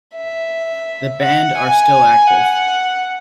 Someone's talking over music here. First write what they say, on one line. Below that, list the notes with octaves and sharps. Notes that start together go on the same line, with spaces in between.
The band are still active.
E5
F#5
G#5
F#5